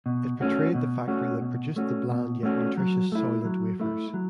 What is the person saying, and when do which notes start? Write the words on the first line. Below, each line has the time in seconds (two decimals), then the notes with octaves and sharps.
It portrayed the factory that produced the bland yet nutritious "Soylent" wafers.
0.06 B2
0.41 A3 C#4 F#4
0.75 B2
1.08 A3 C#4 F#4
1.41 B2
1.76 A3 C#4 F#4
2.10 B2
2.43 A3 C#4 F#4
2.78 F#3
3.12 A3 E4
3.45 F#3
3.80 A3 E4
4.14 F#3